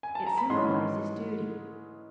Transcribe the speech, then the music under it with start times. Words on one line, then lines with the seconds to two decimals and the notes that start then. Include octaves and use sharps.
It symbolizes duty.
0.03 G#5
0.15 A5
0.26 A#5
0.38 B5
0.49 G#2 E3 G#3 C#4 C6